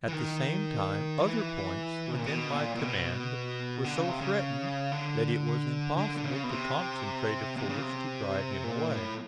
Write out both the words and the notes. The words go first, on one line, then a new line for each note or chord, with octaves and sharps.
At the same time other points within my command were so threatened that it was impossible to concentrate a force to drive him away.
E3
D#3
E3
A#2
B2
A#2
A#2
B2
D3
C#3
C3
C#3
D3
D3
D3
C#3
B2
C3
C3
C#3
C3
A#2
A2